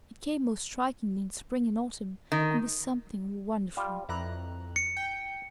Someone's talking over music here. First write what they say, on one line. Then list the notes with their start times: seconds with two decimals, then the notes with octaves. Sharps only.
It came most strikingly in spring and autumn, and was something wonderful.
2.32 D#3
3.77 G3 F4
4.09 F2 E4 B4 D5 A#5 F#6
4.76 C#7
4.97 G5